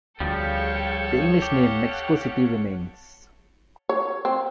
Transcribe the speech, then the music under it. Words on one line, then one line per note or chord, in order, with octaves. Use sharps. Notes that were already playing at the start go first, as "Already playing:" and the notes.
The English name "Mexico City" remains.
D2 F3 G3 G#4 A4 C#5 F5 G5
G4 F5 F#5
C#5
C4